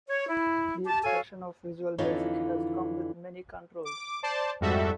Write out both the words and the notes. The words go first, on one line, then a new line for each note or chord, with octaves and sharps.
Each version of Visual Basic has come with many controls.
C#5
E4
G4 A5
F#4 A4 C#5 F5 G#5
F2 D3 E3 D#4 F4 C#5
D6
C5 D5 A5
F2 G#2 G3 F#4 A4 E5